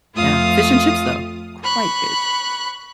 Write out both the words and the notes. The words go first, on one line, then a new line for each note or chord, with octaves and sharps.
Yeah. Fish and chips, though. Quite good,
F2 A3 F4 F5 D#6
B5 C#6 F#6